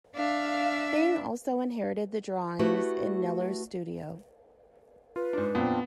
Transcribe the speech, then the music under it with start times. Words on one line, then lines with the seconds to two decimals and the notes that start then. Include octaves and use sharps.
Byng also inherited the drawings in Kneller's studio.
0.15 D4 E5 F5
2.59 A3 E4 F#4 G4 B4
5.16 F4 B4
5.33 G#2 D4
5.55 F2 A#2 B3 C4 D4 F4